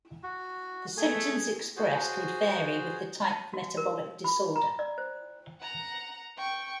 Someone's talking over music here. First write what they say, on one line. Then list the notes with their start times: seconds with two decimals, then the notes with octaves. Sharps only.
The symptoms expressed would vary with the type of metabolic disorder.
0.23 F#4
0.97 A3 G#4 G#5
1.77 F#4 G#4 C5
3.30 A5
3.54 F#4
3.77 A#4
4.24 B5
4.56 A#5
4.79 D5
4.98 C5
5.61 F#5 A#5
6.37 G5 C#6